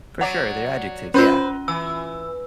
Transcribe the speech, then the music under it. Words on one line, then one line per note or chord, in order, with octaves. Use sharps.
For sure, they're adjectives, yeah.
F#3 D5 F#5
C#4 F4 B4 C5
E3 E6